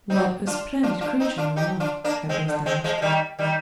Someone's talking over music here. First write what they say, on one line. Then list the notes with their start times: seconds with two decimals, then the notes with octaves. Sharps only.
"What a splendid creature you are!" I burst out.
0.10 C4 D#4
0.47 D4 F4
0.83 D4 F4
1.01 D4 F4
1.20 C4 D#4
1.38 D4 F4
1.56 D#4 G4
1.80 D4 F4
2.04 A#3 D4
2.29 G#3 C4
2.48 D3
2.66 G#3 C4
2.84 F3 G#3
2.98 G#3
3.02 D#3 G3
3.39 D#3 G3